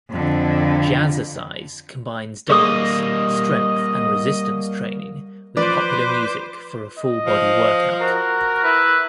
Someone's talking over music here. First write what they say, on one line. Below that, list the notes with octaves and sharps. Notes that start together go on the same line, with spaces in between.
Jazzercise combines dance, strength, and resistance training with popular music for a full-body workout.
F2 D3
G3 A#3 G4 G#4 D#5 D#6
F3 B4 C5 D5 D6
D#5
F3
F#4 A#4
E4 B4